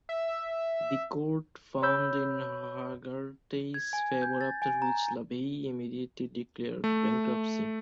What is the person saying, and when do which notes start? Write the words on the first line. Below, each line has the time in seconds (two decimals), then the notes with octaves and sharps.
The court found in Hegarty's favour, after which LaVey immediately declared bankruptcy.
0.09 E5
1.82 C#5 B5 E6 G6
3.74 G#6
3.93 G#5
4.22 G6
4.41 A6
4.62 G#5
4.82 A#5
6.84 A3